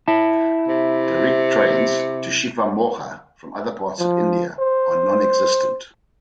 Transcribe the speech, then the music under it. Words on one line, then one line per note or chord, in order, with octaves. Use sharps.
Direct trains to Shivamogga from other parts of India are non-existent.
E4 A5
C3
F3
C5